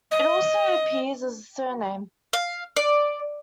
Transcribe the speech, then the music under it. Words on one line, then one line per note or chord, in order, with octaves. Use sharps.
It also appears as a surname.
D#5
F5
D5